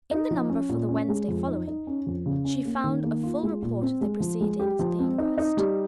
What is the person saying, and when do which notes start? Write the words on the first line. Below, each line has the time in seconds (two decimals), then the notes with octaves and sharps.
In the number for the Wednesday following, she found a full report of the proceedings at the inquest.
0.11 D#4
0.31 F3
0.50 C#4
0.69 A#2
0.89 C#4
1.08 G#3
1.28 F2
1.48 D#4
1.68 D#4
1.87 C#4
2.07 F2
2.26 C#3
2.45 C#4
2.65 A#3
2.84 D#3
3.04 A#3
3.23 F4
3.43 G#3
3.62 A#2
3.82 C4
4.01 G#3
4.20 F3
4.41 G#3
4.59 G4
4.79 F3
4.99 C4
5.18 D#4
5.38 D#4
5.57 G3